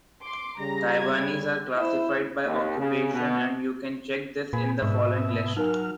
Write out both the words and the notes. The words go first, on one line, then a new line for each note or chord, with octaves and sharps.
Taiwanese are classified by occupation, and you can check this in the following list.
C6 D6
C#3 G3 A#5 A#6
G#6
E4 C5 E6
D#2
C#3
B2
A#2 G#4 B4
G#2 B2 D5 E5 C#6
F#3 D#4 A#4 G#5 F6